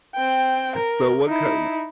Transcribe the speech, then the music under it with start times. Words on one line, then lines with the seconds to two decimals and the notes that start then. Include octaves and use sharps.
So, what k w
0.15 C4 G5
0.76 A#4
1.26 D#4 E4